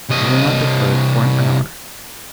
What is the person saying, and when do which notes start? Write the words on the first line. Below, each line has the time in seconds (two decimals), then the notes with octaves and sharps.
I will not defer it for an hour.'
0.10 C2 D#5